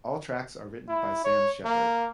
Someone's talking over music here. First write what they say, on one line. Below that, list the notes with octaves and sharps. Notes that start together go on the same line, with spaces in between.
All tracks are written by Sam Shepherd.
E4
C#5
A#3